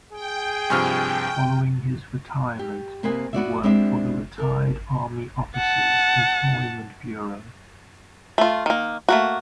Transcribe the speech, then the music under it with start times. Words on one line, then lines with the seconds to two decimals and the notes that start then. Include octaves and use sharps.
Following his retirement he worked for the Retired Army Officers Employment Bureau.
0.13 G#4 G5
0.70 G2 C3 F3 G#5 C#6 F6
2.59 G4
3.03 C3 A#3 B4 C5 D#5 G#5
3.33 B3 F#4 D5 E5
3.63 G#3 C4 D4 E4 G4 E5
4.38 A4 A#4
5.57 F#5 A5
8.38 A3 F4
8.66 D#3 A#3
9.09 A3 A#3 F#4